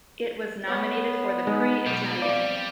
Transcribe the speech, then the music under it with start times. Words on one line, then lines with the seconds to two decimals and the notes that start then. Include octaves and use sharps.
It was nominated for the Prix Italia.
0.67 B3 C#5
1.47 G#3 D#4
1.87 B1 G3
2.22 C4 D5 F5